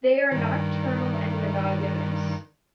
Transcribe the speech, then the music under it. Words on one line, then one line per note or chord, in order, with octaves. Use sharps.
They are nocturnal and monogamous.
G2 D#3